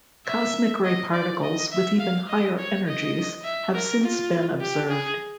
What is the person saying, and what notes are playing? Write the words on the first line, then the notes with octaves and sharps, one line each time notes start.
Cosmic ray particles with even higher energies have since been observed.
E5
D#5
D5
D#5
E5
F5
D#5
C#5
D#5
E5
A#4
F4
G4
G#4